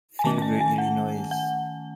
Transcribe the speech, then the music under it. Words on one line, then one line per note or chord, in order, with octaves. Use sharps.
Feel the Illinoise!
G#5
D#3 A3 C#4 A5
A5
G#5
G#5
F#5
F#5